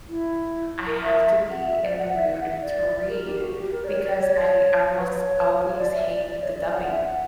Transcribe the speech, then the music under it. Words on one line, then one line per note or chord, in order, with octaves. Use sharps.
I have to be in the mood to read because I almost always hate the dubbing.
E4
A#4
E5
F#5
E5
D5
F#5
E5
F#5
E5
D5
A#4
G4
F#4
G4
A#4
D5
C#5
D5
C#5
B4
C#5
C#5
D5
E5
D5
D5
C#5
D5
F#5
E5
F#5